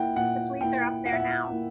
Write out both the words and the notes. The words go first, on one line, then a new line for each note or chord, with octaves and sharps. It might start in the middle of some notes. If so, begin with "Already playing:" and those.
The police are up there now.
Already playing: A#3 E4 F#5 G5
A#2 F#5
A#3 E4 G5
A#2 F#5
E5
F#5
A#3 E4